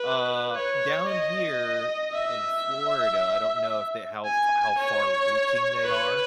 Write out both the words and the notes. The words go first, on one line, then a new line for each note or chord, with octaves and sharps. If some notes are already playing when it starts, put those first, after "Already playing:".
Uh, down here in Florida, I don't know if they how f how far reaching they are,
Already playing: B4
C#5
D#5
E5
G#5
C#5
B4